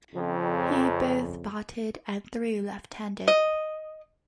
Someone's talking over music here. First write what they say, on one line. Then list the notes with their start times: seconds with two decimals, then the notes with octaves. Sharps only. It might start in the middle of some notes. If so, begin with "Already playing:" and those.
He both batted and threw left-handed.
0.14 F2 C#3
3.28 D#5